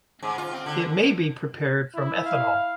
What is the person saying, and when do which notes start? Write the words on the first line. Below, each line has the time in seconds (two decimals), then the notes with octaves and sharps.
It may be prepared from ethanol.
0.23 G#2
0.38 F4
0.53 C4
0.66 D3
1.94 E4
2.25 F5